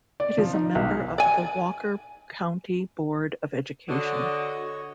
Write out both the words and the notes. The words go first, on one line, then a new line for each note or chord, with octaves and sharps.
It is a member of the Walker County Board of Education.
D5
F3
D#4
B1
D5 G#5
D3 F#4 C#5 D#5